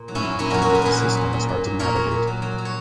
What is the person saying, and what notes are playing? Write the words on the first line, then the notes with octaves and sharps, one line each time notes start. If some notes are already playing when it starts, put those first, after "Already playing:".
Many complain that the system is hard to navigate.
Already playing: A#2
F#3
C#4 E4
F#3
A#2 C#4 E4
F#3 F#4 A#4
F#4 A#4
A#2 G#4 B4
A#2 G#4 A#4 B4
F#3
A#2
A#2
A#2
A#2
A#2 A#4 C#5
A#2
A#2
F#3
F#3
F#3
C#5